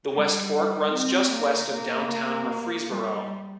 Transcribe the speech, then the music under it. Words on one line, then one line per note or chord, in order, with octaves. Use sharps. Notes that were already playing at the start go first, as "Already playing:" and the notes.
The West Fork runs just west of downtown Murfreesboro.
G3
C4
A#3
A#3
G3